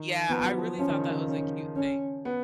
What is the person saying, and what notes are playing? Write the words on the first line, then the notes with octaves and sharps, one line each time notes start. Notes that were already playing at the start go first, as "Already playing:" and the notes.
Yeah, I really thought that was a cute thing.
Already playing: D#3
F3 B3
F#3
F3
F3 C#4
D#3
C#3
D#3
C#4
C#4
B3